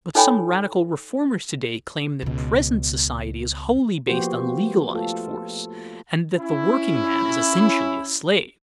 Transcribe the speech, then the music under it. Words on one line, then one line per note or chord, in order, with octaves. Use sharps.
But some radical reformers to-day claim that present society is wholly based on legalized force, and that the workingman is essentially a slave.
D#4 A4 C#5 G5 G#5 B5
C#2 B2
F3 A#3 B3 F#4 G4 C5
A3 F4 A4
C#4 E4